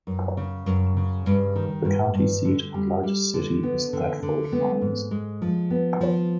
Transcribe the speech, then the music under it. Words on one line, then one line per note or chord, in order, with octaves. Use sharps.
The county seat and largest city is Thetford Mines.
F#2
C#3
F#2
C#3
G2
D#3
G2
G2
D3
G3
G3
D3
B3
D3
D3
B3
G#2
G#3
F3
B3
F3